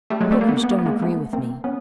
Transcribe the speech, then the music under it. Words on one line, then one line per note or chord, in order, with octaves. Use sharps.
Pokers don't agree with me.
G3 A3
F#3 G#3
G3 A3
A#3
B3
A#3
B3
A#3
B3
G#3 A#3
A3 B3
A#3 C4
B3 C#4